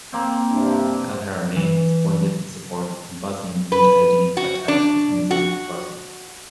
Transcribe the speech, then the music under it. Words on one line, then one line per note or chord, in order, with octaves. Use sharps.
Al-Haramain funded and supported a "Bosnian mujahideen" battalion in Zenica Bosnia.
A#3 C4
G2 C3 D4
E3
B4
F#4
D4
F#4